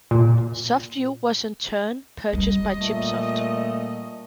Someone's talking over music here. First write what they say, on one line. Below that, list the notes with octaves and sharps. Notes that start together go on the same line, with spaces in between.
SoftView was in turn purchased by ChipSoft.
A#2
G3 D#5
A#2 A3